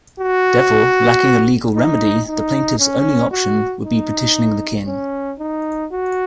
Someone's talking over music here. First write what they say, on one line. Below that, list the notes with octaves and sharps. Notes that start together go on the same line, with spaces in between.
Therefore, lacking a legal remedy, the plaintiff's only option would be petitioning the King.
F#4
D#4
D#4
C#4
F#4
D#4
C#4
D#4
F#4